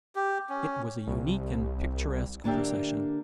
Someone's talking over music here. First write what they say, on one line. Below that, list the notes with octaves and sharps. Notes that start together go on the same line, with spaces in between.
It was a unique and picturesque procession.
G4
C#4
C2
D3 A#3 D4 G4 E5